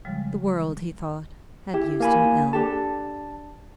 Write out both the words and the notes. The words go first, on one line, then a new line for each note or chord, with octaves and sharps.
The world, he thought, had used him ill.
C#3 F3 G3 G#3
E4 G4
A#3 G#5 B5
D4 G4 A4 A5